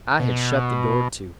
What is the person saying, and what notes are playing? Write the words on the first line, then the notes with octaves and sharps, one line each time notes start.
I had shut the door to.
B2